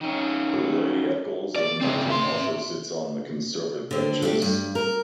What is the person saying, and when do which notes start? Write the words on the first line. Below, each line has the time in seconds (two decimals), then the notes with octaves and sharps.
Lady Eccles of Moulton also sits on the Conservative benches.
0.01 D#3 C#4
1.56 D5
1.82 C#3 C4
2.10 E5 C6
3.91 D3 C4
4.22 A3 D4 G4
4.42 G2
4.75 A#4